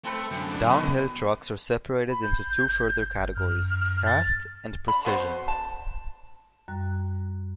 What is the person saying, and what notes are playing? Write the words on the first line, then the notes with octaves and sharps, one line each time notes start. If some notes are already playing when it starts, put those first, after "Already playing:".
Downhill trucks are separated into two further categories: Cast and Precision.
A3 C4 A4 B4
F#2 D3 G5
D4 D6
B2 D#3 B4 D#5
B5
G6
G1
F#2 F6
A6
B5
B2 B3 C5 C6
A5
F#2 G3 F#6